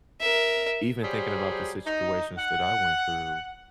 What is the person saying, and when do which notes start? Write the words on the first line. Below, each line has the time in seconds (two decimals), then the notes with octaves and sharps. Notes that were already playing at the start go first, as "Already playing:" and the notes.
even thinking about the situations that I went through,
0.21 A#4 E5
1.03 F#3 G3 G#4 C5
1.85 D#4
2.38 F#5